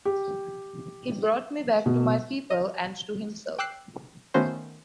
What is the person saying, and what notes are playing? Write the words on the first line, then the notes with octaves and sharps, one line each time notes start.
He brought me back to my people and to himself.
G4
B2
D#5
G5 D6 E6 F#6 C7
D#3 A3 B3 C#4 F#4 C5